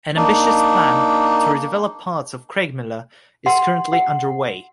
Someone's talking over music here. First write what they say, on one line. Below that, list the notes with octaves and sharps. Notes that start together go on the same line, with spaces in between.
An ambitious plan to re-develop parts of Craigmillar is currently underway.
A#3 D4 D#4
F#5 C6
F#5